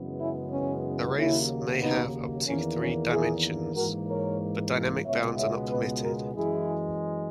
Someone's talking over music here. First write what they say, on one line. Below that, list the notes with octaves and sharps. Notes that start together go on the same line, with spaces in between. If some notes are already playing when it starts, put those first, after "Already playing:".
Arrays may have up to three dimensions, but dynamic bounds are not permitted.
Already playing: F#2 C#3 E3 G#3 B3
C#4 E4
C#4
D#2 C#3 F#3 A#3 C#4 E4
B3 D#4
E2 D#3 A#3 C#4
C#4
E4 G#4
G#2 E3 A#3 F#4 A#4
A#4 C#5
C#2 B2 G#3 B3 C#5 E5
C#5 E5
B4 D#5
F#4 A#4
F#2 E3 G#3 E4 G#4